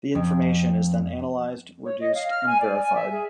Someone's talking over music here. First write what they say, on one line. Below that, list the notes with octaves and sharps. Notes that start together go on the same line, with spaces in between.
The information is then analyzed, reduced, and verified.
F2
C#5
D#5
F5
F6
G#5
D5
G#5
E5
G#4